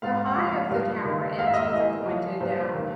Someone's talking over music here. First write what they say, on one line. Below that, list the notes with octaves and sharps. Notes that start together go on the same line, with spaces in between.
The high of the tower ends with a pointed dome.
G#2 F5
F#5
F3
F5
G2
D#3
G#2 F5
E5
D#5
E5
E3 D#5
F3
G2 C5
D#3